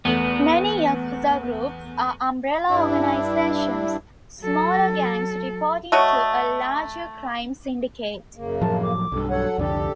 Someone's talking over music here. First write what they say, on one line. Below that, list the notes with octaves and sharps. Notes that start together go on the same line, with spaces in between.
Many yakuza groups are umbrella organizations, smaller gangs reporting to a larger crime syndicate.
E2 A3 B3
G2 D4 E4
F#3 A4
A3 F#4 C#5 D#5
F#2 C#3 A#3
A2 F3 F#3 A5
D6
B1 G2 A4
F#3 A4 C#5 F#5
C2 F2 D3 G4 A4 D5